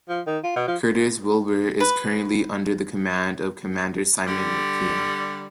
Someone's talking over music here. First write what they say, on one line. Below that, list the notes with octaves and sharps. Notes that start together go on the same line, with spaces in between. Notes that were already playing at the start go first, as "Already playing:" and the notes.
"Curtis Wilbur" is currently under the command of Commander Simon McKeon.
F3
D#3
F4
B2
F3
B4
D3 G3